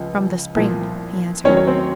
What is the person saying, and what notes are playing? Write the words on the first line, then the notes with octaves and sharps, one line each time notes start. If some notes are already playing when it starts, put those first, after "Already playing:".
"From the spring," he answered.
Already playing: C#2 C#3 F3
C2 A#2 F3
D#2 D#3 F#3 C#4 C#5
C#5
C4 C5